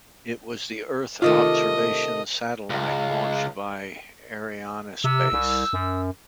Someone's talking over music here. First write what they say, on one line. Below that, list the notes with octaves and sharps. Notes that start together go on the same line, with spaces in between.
It was the Earth observation satellite launched by Arianespace.
C3 D#3 A3 F4 D#5
C#2
C3 E6
C2
F#2